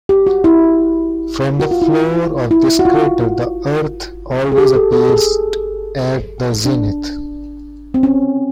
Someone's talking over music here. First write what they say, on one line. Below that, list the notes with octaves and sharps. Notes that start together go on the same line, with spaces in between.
From the floor of this crater the Earth always appears at the zenith.
G4
F#4
E4
F#4
F4
E4
E4
F#4
F4
F#4
G#4
G4
A4
A4
G#4
D4
C4
C#4